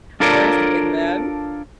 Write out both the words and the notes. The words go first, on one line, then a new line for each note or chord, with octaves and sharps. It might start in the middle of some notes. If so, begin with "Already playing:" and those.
worst wingman,
D4 F4 A4 A#4 C#5 D5